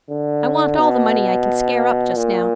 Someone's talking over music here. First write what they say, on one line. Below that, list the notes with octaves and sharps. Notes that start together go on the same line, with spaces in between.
I want all the money I can scare up just now.
D3
B2
A#2